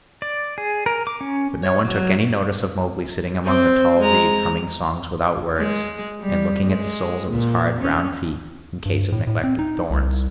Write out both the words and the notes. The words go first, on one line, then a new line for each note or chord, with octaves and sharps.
But no one took any notice of Mowgli sitting among the tall reeds humming songs without words, and looking at the soles of his hard brown feet in case of neglected thorns.
D5
G#4
A#4
D6
C#4
C#5
F#3
C4 C5
G#3 A#5
G#3
G3
G#3
A#2
C#4
G2
A2
A2
C4
D#4
C2